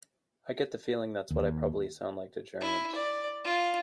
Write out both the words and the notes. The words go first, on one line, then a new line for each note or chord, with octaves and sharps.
I get the feeling that's what I probably sound like to Germans.
D#2
E4
D5
F4